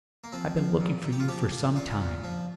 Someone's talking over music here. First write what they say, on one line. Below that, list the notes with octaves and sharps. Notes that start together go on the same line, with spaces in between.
I've been looking for you for some time.
A#3
F3 C4
F3
A#2
A#2
G4
F4
F3 G4
F3
A#2 F4
A#2
F3